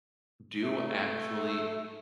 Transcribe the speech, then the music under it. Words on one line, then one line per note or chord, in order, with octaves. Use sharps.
do actually
A3